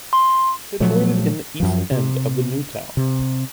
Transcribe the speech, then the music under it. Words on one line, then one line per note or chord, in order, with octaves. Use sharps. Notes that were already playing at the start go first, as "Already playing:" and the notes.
It is situated in the east end of the New Town.
C6
A#2 F3 F#3 A3
F#2 F3
C3
C3